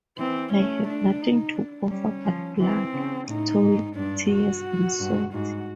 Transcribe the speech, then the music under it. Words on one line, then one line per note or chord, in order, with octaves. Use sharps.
I have nothing to offer but blood, toil, tears and sweat.
E3 C4
A3 C#4
D4
D#4
D4
G3 C#4
F3
E3 C4
C#3
A2 D#4
G#2
G2 D4
F#4
G2
G#2 F#4